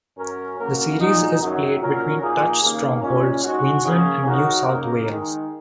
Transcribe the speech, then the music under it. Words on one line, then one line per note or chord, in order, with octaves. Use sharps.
The series is played between Touch strongholds Queensland and New South Wales.
F#2 F#3 C#4 A#4
C#3 A#3 F#4 A#4
A#2 G#3 D#4 F#4
F#2 D#3 F#3
A#2 F#3 C#4 A#4
A#2 A#3 D#4 G#4
D#2 C#3 A#3
A#2 G#3 C#4
G#2 G#3 F#4
C#3 A#3 C#4 G#4
D#3 F#3 D#4 F#4 A#4
C#3 A#3 D#4 A#4
D#3 G#3 D#4